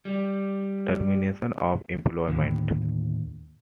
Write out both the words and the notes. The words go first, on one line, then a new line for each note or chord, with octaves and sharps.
Termination of employment.
G3
D#2 A2 D3